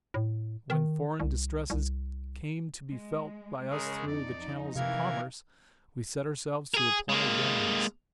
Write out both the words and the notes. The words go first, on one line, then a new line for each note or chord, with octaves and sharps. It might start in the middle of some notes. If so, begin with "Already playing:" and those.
When foreign distresses came to be felt by us through the channels of commerce, we set ourselves to apply remedies.
A2
D#3
C2
C2
G#3
C#3 G#3 G#4 A#4 C#5
F2 D#4 D5
C3 E3 A#4 F5 G#6
G#4 A#4
G#3 A#3